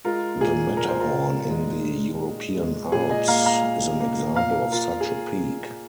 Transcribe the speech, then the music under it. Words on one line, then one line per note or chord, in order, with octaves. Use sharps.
The Matterhorn in the European Alps is an example of such a peak.
G#3 F4 A#4
A#2 G#4
A#2 A#4
C5
F4 A#4
A#2
G#3
G#3
G#3
G#3
A#2 G#4
D#5 G#5
A#3 F5 A#5
F5 A#5
A#3
A#3
A#2 F5 A#5
A#2 F4 A#4
G#4